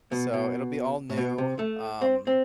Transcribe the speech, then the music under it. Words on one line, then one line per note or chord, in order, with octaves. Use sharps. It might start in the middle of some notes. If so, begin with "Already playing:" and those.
So, it'll be all new, um
B2
B2
A2
B2
C3
A3
C4
C4